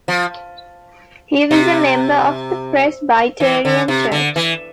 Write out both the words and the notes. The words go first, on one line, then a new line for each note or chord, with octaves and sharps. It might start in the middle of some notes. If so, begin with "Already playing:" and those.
He was a member of the Presbyterian Church.
F3
C3
E3
D3
C3
D3
E3